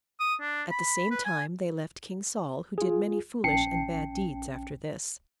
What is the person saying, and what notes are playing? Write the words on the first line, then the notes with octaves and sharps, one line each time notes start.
At the same time, they left King Saul, who did many foolish and bad deeds after this.
D#6
D4
B5
B4
G#5
F4 G#4
A#1 C#4 G5 A5 C7 C#7